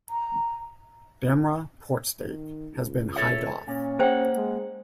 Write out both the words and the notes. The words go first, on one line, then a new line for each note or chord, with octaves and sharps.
Dhamra port stake has been hived off.
A#5
D#3
C#2
A4 C#5 E5
A#2 C#4
A#3 G#4 C5 F#5 G5
G#3